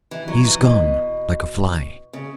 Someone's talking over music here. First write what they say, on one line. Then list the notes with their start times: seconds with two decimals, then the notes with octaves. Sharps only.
He is gone, like a fly.
0.11 E3
0.28 F#3
0.45 E3
0.62 B2
2.13 C#3